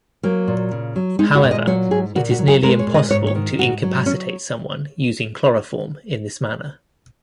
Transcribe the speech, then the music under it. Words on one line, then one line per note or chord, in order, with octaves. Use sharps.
However, it is nearly impossible to incapacitate someone using chloroform in this manner.
F#3 A#3
A#2
C#3
F#3
G#3 D#4
F#4
A#2
D#5
F#3 C#5
G#2 G#4
A#2 F#4
F#4
F#3
G#4
G#3 A#4
C#5
A#2
D#5
G#2 C#5
C#5
D#3
G#2 F#4
F#3
F#3 C#4